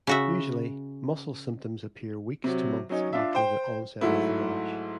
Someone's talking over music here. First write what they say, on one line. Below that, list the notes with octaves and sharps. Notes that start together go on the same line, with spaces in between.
Usually, muscle symptoms appear weeks to months after the onset of the rash.
C#3 F#4 E5
C3 F#3
F#3 C#4 D#4
D4 F4 E5
C5 G5
G#2 F#3 A3 E4